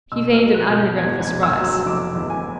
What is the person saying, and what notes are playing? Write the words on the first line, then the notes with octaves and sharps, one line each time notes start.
He feigned an unregretful surprise.
B2 E6
F6
F#3
F#6
B2
G6
E2 G#6
G#6
F1
E6
F#3
E6
F1 D6
E2
G#5